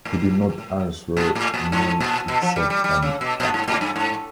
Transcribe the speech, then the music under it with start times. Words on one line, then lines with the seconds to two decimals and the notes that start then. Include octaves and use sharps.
He did not answer me except on five.
0.05 A2
1.17 A#2
1.35 A2
1.54 A#2
1.72 G#2
2.00 A#2
2.28 B2
2.42 F3
2.56 G3
2.70 G3
2.84 G3
3.02 C#3
3.21 B2
3.40 A#2
3.54 G#2
3.68 A2
3.81 G2
3.96 G#2